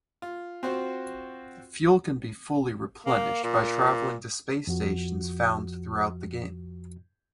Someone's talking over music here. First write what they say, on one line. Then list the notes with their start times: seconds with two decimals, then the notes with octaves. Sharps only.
Fuel can be fully replenished by traveling to space stations found throughout the game.
0.22 F4
0.63 C4 F4 F#4 C5
3.06 A#3
3.43 A#2
4.67 F2 F3 F#4